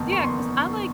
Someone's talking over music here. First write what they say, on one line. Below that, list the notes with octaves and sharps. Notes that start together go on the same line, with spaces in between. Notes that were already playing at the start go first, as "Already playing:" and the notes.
Yeah 'cause I like
Already playing: F#1 E2 D#3 A5
C#6
F#1 E2 D#3 C6